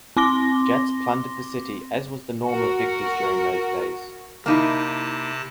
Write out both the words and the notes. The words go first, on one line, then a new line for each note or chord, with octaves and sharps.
Jats plundered the city as was the norm of victors during those days.
C4 C6 D6 A#6 G7
F#4 A#4
C3 A#3 D#4 E4 A5 A#6